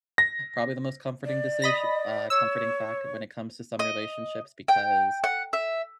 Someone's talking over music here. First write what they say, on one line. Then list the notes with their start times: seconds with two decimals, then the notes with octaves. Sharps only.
probably the most comforting decis uh, comforting factor when it comes to some relationships because,
0.18 A#6
1.25 D5
1.62 D#5 B5 A#6
2.30 C#5 E6
3.79 D#5
4.68 G5
5.24 F#5
5.53 E5